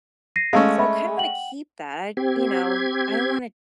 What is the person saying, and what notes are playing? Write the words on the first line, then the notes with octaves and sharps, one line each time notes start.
so I kinda wanna keep that, you know? I don't wanna
A#6 C7 D#7
G#3 A3 C#4 F5
E5 B5
F#5 G5 F#7
C4 G4 G#6